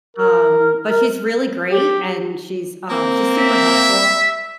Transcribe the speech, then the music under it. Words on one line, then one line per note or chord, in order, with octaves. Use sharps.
Um, but she's really great, and she's, uh, she's super helpful.
A#4
A#4
G4
A#3 C4
E5